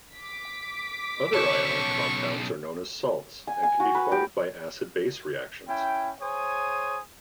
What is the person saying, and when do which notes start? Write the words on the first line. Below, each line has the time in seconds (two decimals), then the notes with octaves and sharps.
Other ionic compounds are known as salts and can be formed by acid-base reactions.
0.14 D6 B6
1.34 B1 C#3 C#5 A5 C#6
3.47 G#5
3.63 G#5
3.80 F#4
3.95 B4
4.12 G4
5.69 C#4 E4 G5
6.21 G#4 C5 C#5 G#5 D#6